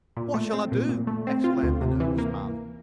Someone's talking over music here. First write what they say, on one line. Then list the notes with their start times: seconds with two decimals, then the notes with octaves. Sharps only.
"What shall I do?" exclaimed the nervous man.
0.17 A#2
0.34 A3
0.53 C4
0.72 A#2
0.89 A#2
1.07 A3
1.27 C4
1.44 F4
1.63 D2
1.81 C3
2.00 E3
2.18 A#3